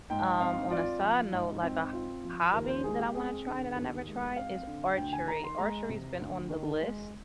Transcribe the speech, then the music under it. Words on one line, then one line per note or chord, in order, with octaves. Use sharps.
Um, on a side note, like a h hobby that I wanna try that I never tried is archery. Archery's been on the list
G#2 G5
C4 F5
F4 D5
F3
G#2
C4
F4
F3
D#2 A#4
C5
G#3 G#4
G4
C4 G#4
D3
D#2
G#3
C4 F5
D3
D2 G5
G#5
D#3 A#5
C6
G#3 A#5
C3
D2
D#3
G#3